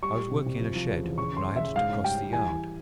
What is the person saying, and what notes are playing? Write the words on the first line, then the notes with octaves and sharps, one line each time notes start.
I was working in a shed, and I had to cross the yard.
G3 C#6
G3
C3
C3
F3
F3
C#3
E2
C#3 C#6
C#4 C6
C#4
C#3 E5
G#2 F5
C#4
G3 G5
G3
E3 G#5
E3